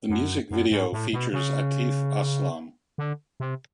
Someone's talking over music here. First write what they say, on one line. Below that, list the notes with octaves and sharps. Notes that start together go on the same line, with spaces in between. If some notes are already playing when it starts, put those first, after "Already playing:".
The music video features Atif Aslam.
F#2
F#2
G#2
A2
B2
C#3
D3
C3